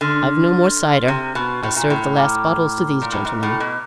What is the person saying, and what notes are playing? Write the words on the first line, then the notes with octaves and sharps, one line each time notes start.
"I've no more cider; I served the last bottles to these gentlemen."
D3 C6 F6 A6
C3
B2
A2
A#2
A2
A#5 D6 F6
A#2
A2
G#2
A2
B2